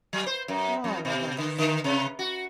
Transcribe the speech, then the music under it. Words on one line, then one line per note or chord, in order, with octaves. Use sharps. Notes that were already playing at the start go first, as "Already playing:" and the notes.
"All of us."
F#3
C5
F#2
F2
B2
D3
D3
C3
F#4